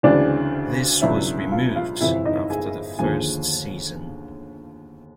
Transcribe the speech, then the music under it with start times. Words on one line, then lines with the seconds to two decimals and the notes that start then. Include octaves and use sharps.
This was removed after the first season.
0.03 D2 C#3 E3 G#3 C4 D4 D5
1.02 C#2 B2 F#3 B3 D4 E4 E5
1.52 F4 F5
1.76 F4 F5
2.01 G1 F2 C3 E3 E4 E5
2.26 D#4 D#5
2.50 G#4 G#5
2.99 D#2 D3 F3 G#4 G#5